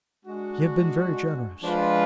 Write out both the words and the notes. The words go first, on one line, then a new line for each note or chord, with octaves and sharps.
He had been very generous.
G#3 D4 F#4
F3 G#3 D4 F4 B4